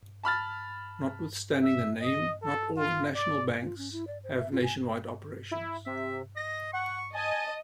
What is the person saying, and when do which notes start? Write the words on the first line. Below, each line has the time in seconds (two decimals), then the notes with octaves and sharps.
Notwithstanding the name, not all "national banks" have nationwide operations.
0.23 A5 B5 F6 A6
1.62 E5
2.01 D#5
2.42 A4
2.76 F4
3.15 D5
3.61 F4
3.78 C#4
3.92 E4
4.07 D5
4.24 C5
4.38 E5
4.52 F4
4.63 G#5
5.51 E4
5.86 C3 E5
6.36 D#5 A#6
6.73 F#5 C#6
7.14 D#5 G#5 A5